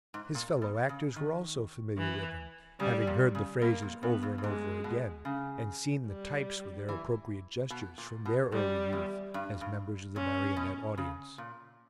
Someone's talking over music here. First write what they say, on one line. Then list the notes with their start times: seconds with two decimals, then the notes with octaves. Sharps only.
His fellow-actors were also familiar with them, having heard the phrases over and over again, and seen the types with their appropriate gestures from their early youth as members of the marionette audience.
0.14 G#2
0.35 A#2
0.62 B2
0.89 C#3
1.16 D#3
1.98 E3
2.80 C#3 G3
3.07 A#2
3.35 C#3
3.61 B2 A#3
3.82 A#2
4.02 G2 B3
4.23 G2
4.38 G2
4.43 G#2 G#3
4.84 B2
5.25 C#3
6.06 G3
6.89 E3
7.70 B2
7.98 A#2
8.25 B2
8.52 G#2 G3
8.93 E2
9.34 G2
9.61 G2
10.16 A#2 C#4
10.56 B2
10.97 C#3
11.38 A#2